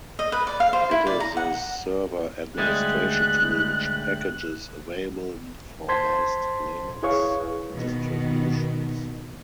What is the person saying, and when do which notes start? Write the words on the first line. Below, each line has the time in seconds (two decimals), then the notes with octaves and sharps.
It is a server administration tool, with packages available for most Linux distributions.
0.19 D#5
0.32 B4
0.47 D5
0.60 F5
0.73 C5
0.91 E4
1.07 D5
1.20 A#5
1.37 F#5
2.58 D2 G3 G#3 F#6
5.88 C5 A5 C6 G#6 B6
7.03 E4 G#4 B4 C#5 F5 C#6
7.73 B2 D#3 B3